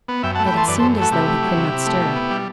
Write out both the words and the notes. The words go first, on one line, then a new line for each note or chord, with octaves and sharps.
Yet it seemed as though he could not stir.
B3
F#2 E5 G5
F#5 A5
A3
G5 B5
E3 A5 C6
F#2 B4 D5
A4 C5
F#2
A3 F#4 A4
C3 E4 G4
A3
F#3
C3
C3
A3
B2
B3
G3